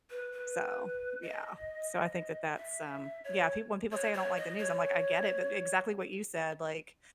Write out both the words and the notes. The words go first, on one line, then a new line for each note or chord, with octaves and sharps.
So, yeah. So, I think that that's, um, yeah, pe when people say, "I don't like the news," I'm like, "I get it," but exactly what you said, like,
B4
B4
D#5
E5
C#5
C#5
C#5
D#5
C#5